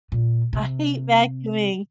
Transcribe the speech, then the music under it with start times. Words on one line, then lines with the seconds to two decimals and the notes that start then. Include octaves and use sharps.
I hate vacuuming.
0.12 A#2
0.53 C3